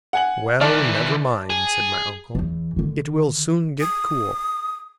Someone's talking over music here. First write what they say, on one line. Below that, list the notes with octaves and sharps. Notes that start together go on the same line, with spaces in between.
"Well, never mind," said my uncle, "it will soon get cool."
F#5 G#5 F#7
D#3 E3 D5 A5 F6
G#4
E2 E3
D3 D#3
D#6